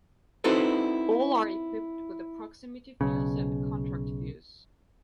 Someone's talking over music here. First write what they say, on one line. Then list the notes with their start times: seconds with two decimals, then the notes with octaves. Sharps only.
All are equipped with a proximity fuse and contact fuse.
0.44 C4 D#4 E4 F#4 A4 B4
3.01 B1 C#3